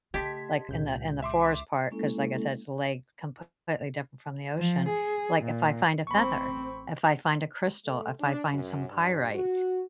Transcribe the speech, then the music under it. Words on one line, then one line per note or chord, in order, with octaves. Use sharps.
like, in the in the forest part 'cause, like I said, it's a lake, completely different from the ocean. Like, if I find a feather, if I find a crystal, if I find some pyrite,
C#3 A3 G4 D#5 A5 C6 G#6 B6
C#2 A#2 G6
E5 C6 D6
G#3 A#3 C#4 E4 A4
F3
G#4
A#2
A1 C4 B5 C#6
A3
D4
F#2
G2
F#4